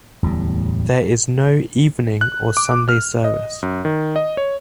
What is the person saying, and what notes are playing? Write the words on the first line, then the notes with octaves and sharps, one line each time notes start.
There is no evening or Sunday service.
D1 E2 A2 G3
F#6
D6
F6
D#5
F#2
D#3
D#5
C#5